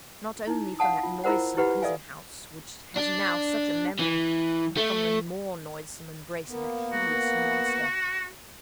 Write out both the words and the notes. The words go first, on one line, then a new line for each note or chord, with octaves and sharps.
Not only from that noisome prison-house, which has now such a memory, but from the more noisome embrace of that hideous monster.
D#4 E4
F5 F#5 A5 D#6
F4
E4 F4 A#4 C5 F#5
E4 G4 B4 F#5 B5
A4 D5 E5 F5 G#5
D4
E3
A3
A#3 B3
F#4